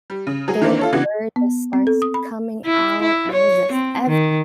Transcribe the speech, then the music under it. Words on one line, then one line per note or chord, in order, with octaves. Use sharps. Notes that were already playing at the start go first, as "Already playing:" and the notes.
their fur just starts coming out and it's just everywhere
G3
C#3
F#3 G#4
D#3 E3 A#3 C4 D4
F4 A4 C#5
C#3 E3 B3 D4 F#4 G#6
B3
C4
A4
D#6
B5
E4
E4
C#5
C4
D#3